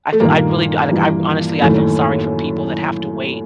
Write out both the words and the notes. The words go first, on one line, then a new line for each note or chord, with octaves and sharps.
I feel I really I don't like, honestly, I feel sorry for people that have to wait.
A3
G2 A#2 D#3 A#3
G2 E3
F#2 A2 D#3 A3